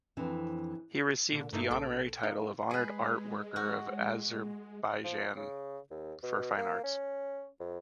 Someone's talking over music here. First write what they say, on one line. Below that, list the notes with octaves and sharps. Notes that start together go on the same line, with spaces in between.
He received the honorary title of Honored Art Worker of Azerbaijan for fine arts.
F2 E3 C4 D4
A#2 D3
G2 A3 A#3 D#4 E4
A#1 A4 D7
D#4 F5
G#3 G#4 B4
F#4
F3
C#3
D#2
B2
A#3
C#4
F2